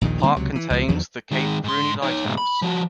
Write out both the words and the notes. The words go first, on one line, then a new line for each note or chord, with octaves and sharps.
The park contains the Cape Bruny Lighthouse.
A#1 D#2 A#2 D#3
D3 G3 A#3 C4
C#2 C3 F#3
E3
C#2 F3
E2 D#3 F3 F#3
D#3 G#3
G#2 C6
D#4 C#5
G#2 B2
B5
F3 F#4